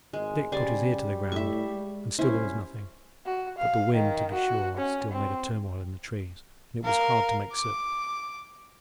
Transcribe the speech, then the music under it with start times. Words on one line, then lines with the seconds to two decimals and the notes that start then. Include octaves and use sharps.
Dick put his ear to the ground, and still there was nothing; but the wind, to be sure, still made a turmoil in the trees, and it was hard to make certain.
0.13 G#1 G#3
0.52 C#3 G3 C5 D5 G#5
1.32 A2 E5 C#6
1.70 G#3
2.19 C2 C#4 E4 C5
3.26 F#4
3.58 F5
3.95 D#3
4.34 F#4
4.77 C#4
5.12 C4
6.84 A#4 F5
7.53 D6